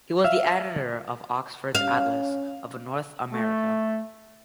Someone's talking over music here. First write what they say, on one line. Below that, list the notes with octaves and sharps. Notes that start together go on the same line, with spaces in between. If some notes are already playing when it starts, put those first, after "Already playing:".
He was the editor of Oxford's "Atlas of North America".
E5 F5
C#4 F5
A3